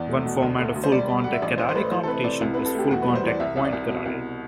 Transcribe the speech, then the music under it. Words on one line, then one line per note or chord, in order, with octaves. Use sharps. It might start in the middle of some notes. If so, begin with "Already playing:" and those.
One format of full contact karate competition is full contact point karate.
Already playing: E2 D5
A3
B2
D2
A3
D2
C5
G3 D5
G3
G3 F#5
E5
A1 D5
A1 C5
C5
A3 B4
E3 C5
A4
C3 B4
C3 D5
C2 E4
C3 B4
A4
A3 G4
E2 F#4
B4
G3
C5
E3 D5
C2 E5
C2 E5
D5
C2
B2
C2